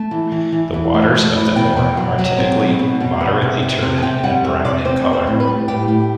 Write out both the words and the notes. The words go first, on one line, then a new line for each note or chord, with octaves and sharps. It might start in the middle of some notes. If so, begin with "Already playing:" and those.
The waters of the Orne are typically moderately turbid and brown in colour.
Already playing: A3 A5
E3
E3
E3
E3
A3
A3
E3
B2 G5
B2
F#3
F#3
C4
B2
B2
B2
B3
C3
C3
C3
A5
C3 G5
G3 F#5
C3 E5
C3 D5
C4 C5
C4
C5
A2
B4
G3
A2 G4
A2